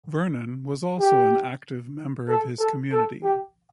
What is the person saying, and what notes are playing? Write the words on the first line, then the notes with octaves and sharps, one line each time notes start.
Vernon was also an active member of his community.
G4
A4
A4
A4
G4